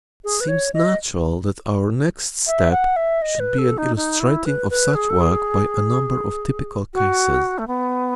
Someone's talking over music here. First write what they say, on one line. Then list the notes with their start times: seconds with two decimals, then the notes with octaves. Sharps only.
It seems natural that our next step should be an illustrating of such work by a number of typical cases.
0.24 G#4
0.41 B4
0.48 C#5
0.74 D#5
2.47 E5
2.71 F#5
2.96 E5
3.22 D#5
3.40 B4
3.58 A4
3.78 D#4
3.96 D#4
4.20 E4
4.46 B4
4.70 B4
4.95 G#4
5.10 A4
5.21 G#4
6.94 F#4
7.59 A3
7.67 B3